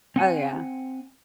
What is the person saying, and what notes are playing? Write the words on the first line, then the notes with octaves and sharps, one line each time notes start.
Oh, yeah.
C4 F#5 G#5